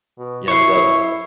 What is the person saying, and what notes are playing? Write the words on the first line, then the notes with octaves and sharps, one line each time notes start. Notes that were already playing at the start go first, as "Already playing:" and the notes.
Yeah, th that
B2
E4 C#6 C7